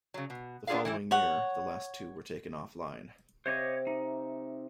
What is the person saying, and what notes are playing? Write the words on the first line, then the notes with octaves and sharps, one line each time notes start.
The following year, the last two were taken off-line.
C#3 F#3
B2
B3 D4 F4 G#4 A4 F5
E3 G3 E4
C#5 F#5
C3 C5 C#5 D#5 F5 D6
D#4 E5